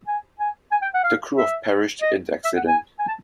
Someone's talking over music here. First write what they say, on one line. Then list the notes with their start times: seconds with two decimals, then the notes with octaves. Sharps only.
The crew of perished in the accident.
0.07 G#5
0.39 G#5
0.71 G#5
0.82 G5
0.94 F#5
1.04 F5
1.36 E5
2.02 D#5
2.45 E5
2.57 F#5
2.67 G#5
2.99 G#5
3.08 A5